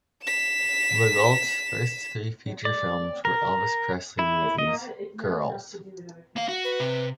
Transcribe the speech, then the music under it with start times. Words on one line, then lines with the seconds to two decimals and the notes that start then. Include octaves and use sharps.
LeGault's first three feature films were Elvis Presley movies, Girls!
0.24 B6 E7
2.65 D5
3.25 A#4
4.19 E4
4.58 D#5
6.36 A#3 F5
6.48 F#4
6.64 B4
6.80 C3